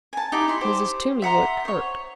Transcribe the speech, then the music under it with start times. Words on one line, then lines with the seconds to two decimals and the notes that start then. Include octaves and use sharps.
Mrs. Toomey looked hurt.
0.13 G#5 A5
0.32 D#4 E4 G4
0.48 E4 C6
0.61 G4 C5
1.22 E5 F#5 A#5 C6
1.65 C5 C#5